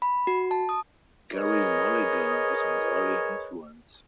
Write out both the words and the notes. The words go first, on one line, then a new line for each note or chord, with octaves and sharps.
Gerry Mulligan was an early influence.
B5
F#4
A5
D#6
G#4 A#4 B4 C#5 D#5